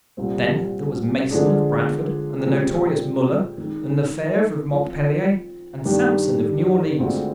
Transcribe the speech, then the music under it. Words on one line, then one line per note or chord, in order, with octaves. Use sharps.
Then there was Mason of Bradford, and the notorious Muller, and Lefevre of Montpellier, and Samson of New Orleans.
C2 A#2 G3 C4
D3 F3 G#3 D4 G#4
A#2 F3 G#3 C4 G4
D#3 G#3 D#4
F3 C4 F4
G2 D#3 G3 D4 G4
D2 D3 G#3 C4 F4